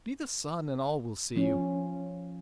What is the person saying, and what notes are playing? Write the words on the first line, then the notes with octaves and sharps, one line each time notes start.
Be the sun and all will see you.
F3 C#4